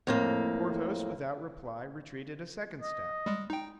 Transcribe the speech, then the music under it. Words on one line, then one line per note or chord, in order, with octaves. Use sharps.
Porthos, without reply, retreated a second step.
F2 A2 A#3
D#5
G3 G#3
D#4 G5